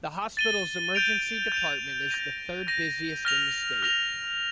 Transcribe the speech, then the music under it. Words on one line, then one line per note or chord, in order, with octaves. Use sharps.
The hospital's emergency department is the third busiest in the state.
A6 D#7 G7
G6 D7 F7
G6 D7 F7
G6 A#6 D#7
G6 A#6 D#7
F6 A#6 F7
F6 A#6 F7